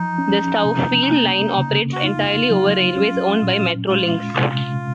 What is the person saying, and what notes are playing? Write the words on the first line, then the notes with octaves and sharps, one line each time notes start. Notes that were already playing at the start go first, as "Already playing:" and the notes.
The Stouffville line operates entirely over railways owned by Metrolinx.
Already playing: F3 D#4
C#4
C3
A#3
C#3
F#4
D#4 F4
F#3
C#4
A#2
G#3 F4
C3